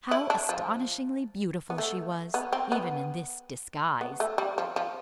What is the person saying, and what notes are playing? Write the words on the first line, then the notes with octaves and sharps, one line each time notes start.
How astonishingly beautiful she was, even in this disguise!
E4
D4
F3
B3
A3
B3
C4
B3
B3
A3
G3
F3
F3